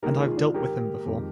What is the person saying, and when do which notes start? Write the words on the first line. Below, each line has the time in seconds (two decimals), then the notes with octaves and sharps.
And I have dealt with him before.
0.02 G#2 D#3 A#3 G4 A#4
0.19 F4 G#4
0.37 D4 F4
0.54 G4 A#4
1.06 F2 D#3 G#3